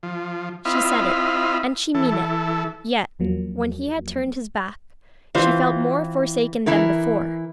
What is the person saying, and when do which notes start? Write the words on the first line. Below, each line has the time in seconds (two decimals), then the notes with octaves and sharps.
She said it, and she mean it; yet, when he had turned his back, she felt more forsaken than before.
0.03 F3
0.65 C4 E4 F4 D#5 F5 B5
1.94 E3 A4
3.19 E2 F3 F#3 A#3
5.35 E3 C4 F4 B4 C5
6.66 E3 E4 A#4